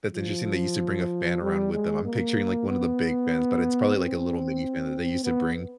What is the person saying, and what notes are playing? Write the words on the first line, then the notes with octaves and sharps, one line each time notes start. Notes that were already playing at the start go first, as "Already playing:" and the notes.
that's interesting they used to bring a fan around with them, I'm picturing, like, one of the big fans, but it's probably, like, a little mini fan that they used to bring.
F3
G3
G#3
A#3
B3
C4
B3